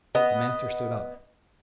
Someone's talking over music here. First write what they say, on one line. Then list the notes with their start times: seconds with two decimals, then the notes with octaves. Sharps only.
The master stood up.
0.15 B3 D#5